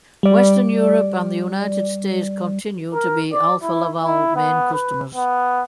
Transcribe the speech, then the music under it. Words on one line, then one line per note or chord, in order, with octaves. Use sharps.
Western Europe and the United States continue to be Alfa Laval main customers.
G3 D5
A#4
D5
E4
E4
B3
B4
B3